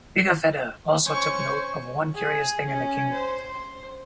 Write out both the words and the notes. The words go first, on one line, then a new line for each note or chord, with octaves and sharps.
Pigafetta also took note of one curious thing in the kingdom.
C#4 C5 G#5 C#6
G#4
C#4
C5
C5